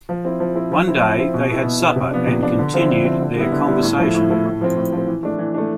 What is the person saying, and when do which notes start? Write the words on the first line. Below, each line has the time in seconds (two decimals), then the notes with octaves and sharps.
One day they had supper and continued their conversation.
0.09 F3
0.25 C4 E4
0.40 F3
0.56 C4 E4
0.72 F3
0.87 C4 E4
1.02 F3
1.18 C4 E4
1.34 B2
1.49 B3 E4
1.65 B2
1.80 B3 E4
1.96 C3
2.11 F3 B3 D4
2.27 C3
2.43 F3 B3 D4
2.59 D3
2.74 F3 C4 E4
2.89 D3
3.05 F3 C4 E4
3.21 D3
3.36 G3 B3 E4
3.52 D3
3.67 G3 B3 E4
3.83 A2
3.98 F3 A3 E4
4.15 A2
4.30 F3 A3 E4
4.46 A2
4.61 F3 C4
4.77 A2
4.92 F3 C4
5.07 E3
5.23 A3 D4
5.39 E3
5.54 A3 D4